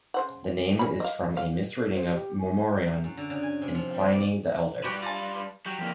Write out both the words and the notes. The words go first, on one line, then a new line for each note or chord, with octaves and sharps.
The name is from a misreading of "mormorion" in Pliny the Elder.
C#3 C5 F#5
C#4 G#5 B5
D#5 F5
F5
A4
C5
G4
G#5
F#2
D3
C#3
G#5
C3
F3
G3
D5
G3 F#4 G4 B4 D5
F4 A5
F#3 G4
F2 A#3